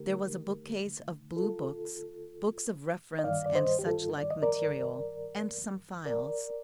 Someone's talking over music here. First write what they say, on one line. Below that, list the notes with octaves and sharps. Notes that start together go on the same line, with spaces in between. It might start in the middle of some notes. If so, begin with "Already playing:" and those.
There was a bookcase of bluebooks, books of reference and suchlike material, and some files.
Already playing: D3 A3 D#4 G4 A#4
F4 A4
D#5
G2 D#3 G3 D5 F5
D5
C5 D#5
G4
F4 A4
D5
D#5
A#4 D5
A#4 D5